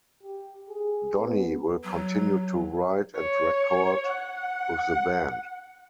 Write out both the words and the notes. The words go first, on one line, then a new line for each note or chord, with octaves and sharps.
Donnie will continue to write and record with the band.
G4
G#4
B3
F#3
C#5
F#5